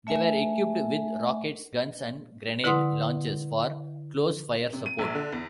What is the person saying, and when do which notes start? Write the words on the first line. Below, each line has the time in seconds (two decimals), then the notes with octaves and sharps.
They were equipped with rockets, guns, and grenade launchers for close fire support.
0.07 A3 E5 G#5
2.64 D3 E4 B4 F#5 C6 D#6
4.73 C3
4.86 D#7
4.99 A#1
5.15 D3
5.32 E2